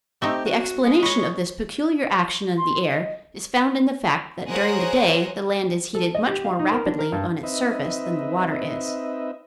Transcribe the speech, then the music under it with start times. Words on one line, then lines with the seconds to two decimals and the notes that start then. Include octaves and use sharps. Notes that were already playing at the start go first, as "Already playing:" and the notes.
The explanation of this peculiar action of the air is found in the fact that during the day the land is heated much more rapidly on its surface than the water is.
0.22 A3 C4 D#4 G4
0.46 F#4
0.85 G#3
1.03 B4 C#5 D#5 C#6
2.57 C6
2.83 D#5
4.48 G#4 A#4 C5 C#5 D#5 F#5
5.95 A4
6.15 D#5
6.27 G4
6.45 F5
6.59 D#4
6.72 A#4
6.86 D4
6.99 A#4
7.12 G2
7.43 C4 D#4 B4 D#5 E5